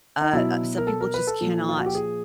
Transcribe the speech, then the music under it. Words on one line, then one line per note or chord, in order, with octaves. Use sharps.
uh, some people just cannot
D#4
B2 F#3 E4
A#4
A4
A#4
B4
A4
A#2 F3
F4
F#4
G4
G#4